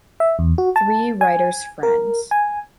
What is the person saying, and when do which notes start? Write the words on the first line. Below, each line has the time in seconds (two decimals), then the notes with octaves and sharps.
Three writers friends.
0.20 E5
0.39 E2
0.58 F#4
0.76 A5
1.21 G#5
1.83 A#4
2.31 G#5